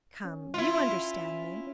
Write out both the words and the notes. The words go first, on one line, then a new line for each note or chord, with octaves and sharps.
"Come, you understand me."
C#4
E4 F4